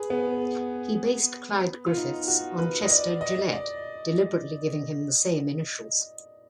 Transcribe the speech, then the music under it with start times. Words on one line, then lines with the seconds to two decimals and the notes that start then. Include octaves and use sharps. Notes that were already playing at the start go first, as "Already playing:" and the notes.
He based Clyde Griffiths on Chester Gillette, deliberately giving him the same initials.
Already playing: G#4 B4
0.10 B3
1.86 F4
1.97 D#4
2.28 F#4
2.58 B4
2.81 D#5
2.90 D5
3.21 D#5
3.53 D5